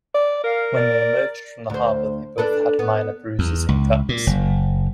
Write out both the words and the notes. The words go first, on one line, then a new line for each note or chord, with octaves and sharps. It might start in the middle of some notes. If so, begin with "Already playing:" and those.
When they emerged from the harbour they both had minor bruises and cuts.
D5
A#4 F5
D5
D2 C5
D4 A4 B4
B3
E2
C#2
A#2
F#1